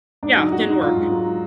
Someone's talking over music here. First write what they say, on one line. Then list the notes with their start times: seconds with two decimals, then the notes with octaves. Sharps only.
Yeah, didn't work.
0.23 G#2 D4
0.37 F#3 D#4
0.52 G#2 F#4
0.66 F#3 D#4
0.82 G#2 F4
0.96 G#2
1.11 F#3